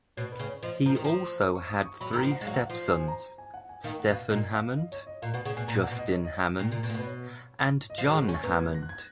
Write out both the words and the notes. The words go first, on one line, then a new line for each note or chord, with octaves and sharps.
He also had three step sons, Stephen Hammond, Justin Hammond, and John Hammond.
B2 C#5
B4
C#3
C#5
F3 D#5
F3 A#5
D#3
F3 A#5
C#6
D#6
C#6
F#3 B5
D#3 A#5
F3
F#5
G#3
F#3 F5
F#5
F5
F3
G#5
A#5
G#5
F#5
G#5
D#3 F5
F#5
B2
F5
A#2 D#5
F5
D#5
C#5
D#5
A#2 F5
B2 F#5
C#3 F#5
B2 G#5
A#2 A#5
F#5
B2
D#5
C#5
D#5
A#2
A#2
B2
A#2
B2 B4
C#5
D#5
F3 F5
F#3
G#3 F#5
C#4 G#5
B3 A#5
F#6
G#6
A#6
F#6
G#6